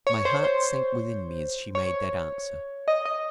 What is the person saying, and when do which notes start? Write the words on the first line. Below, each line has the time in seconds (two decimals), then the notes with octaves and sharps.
My heart sank within me as she made that answer.
0.07 C#5
0.25 C5
0.44 C5
1.75 C#5
2.88 D#5
3.05 D#5